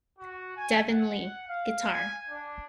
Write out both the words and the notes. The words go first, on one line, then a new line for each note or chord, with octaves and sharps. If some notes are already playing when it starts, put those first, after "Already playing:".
Devin Lee, guitar.
F#4
G#5
F#5
F5
G#5
D4